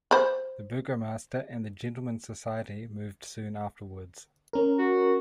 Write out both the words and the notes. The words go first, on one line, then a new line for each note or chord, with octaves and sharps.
The burgomaster and the Gentlemen's Society moved soon afterwards.
C5 B5
C#4 A#4
F#4